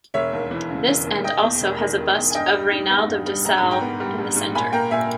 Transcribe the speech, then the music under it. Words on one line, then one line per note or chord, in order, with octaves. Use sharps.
This end also has a bust of Rainald of Dassel in the center.
E1 C#5 E5
D#2
E3
C#3
E1
D#2
E1 D#5 G5
E2
E1
D#3
E1
E2
G#5
G2 D#5 G5
G3
D#4
B3
G2
G3
A#1 A#5
G#2 B5
G5 A#5
B3
G3
A#1
G#2
A#2 G#5 B5
A#3 G5 A#5
A#2 E5 G#5